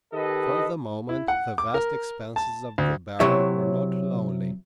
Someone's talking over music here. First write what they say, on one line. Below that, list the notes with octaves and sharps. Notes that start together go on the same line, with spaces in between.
For the moment the vast expanses of the barren were not lonely.
D#3 G4 A4 B4 D#5
E4
F#5
D6
A#4
A5
D2
C3 F#3 E4 C#5 E5